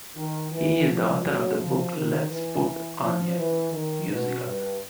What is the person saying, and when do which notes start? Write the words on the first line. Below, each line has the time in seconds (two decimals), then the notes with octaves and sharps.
He is the author of the books Let's Put on a Musical!
0.16 D#3
0.51 E3
0.87 F3
1.23 F#3
1.58 F3
1.94 D#3
2.30 E3
3.01 F3
3.36 E3
3.72 D#3
4.08 B2
4.44 G2